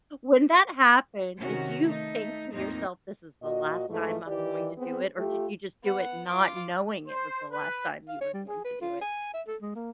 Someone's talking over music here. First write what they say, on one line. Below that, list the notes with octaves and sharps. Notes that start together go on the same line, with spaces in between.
when that happened, did you think to yourself, "This is the last time I'm going to do it," or did you just do it not knowing it was the last time you were going to do it?
C3 D#3 C#4 F#4
A3 D#4
E2 A2 F3 A#3 C4 D#4
A#2 F#4 D#5
G#2 E3 F3 A3
D#3 E3 G4 D5
B3 C4 G#4
A3 F4 G4
B3 F#5
F4 D6
C5
B4
F5
C#5
G3
G#4
B4
F4
G#5
E5
A4
G#3
A#3